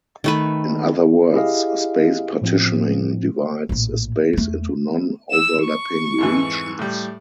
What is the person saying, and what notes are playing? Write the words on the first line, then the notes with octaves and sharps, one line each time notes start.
In other words, space partitioning divides a space into non-overlapping regions.
D#3 A3 B4
E4 G4 G#4 D#5 F5
A2 F3 C4
A#1 A2
E2 A3
E6 E7
C#6
F2 G#2 E3
A2 G3